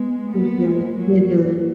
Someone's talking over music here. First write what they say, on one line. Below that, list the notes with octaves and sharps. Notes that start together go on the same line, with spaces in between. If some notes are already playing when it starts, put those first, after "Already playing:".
Mhm, mhm.
Already playing: G#3 B3
A#3 B3
G#3 A#3
F#3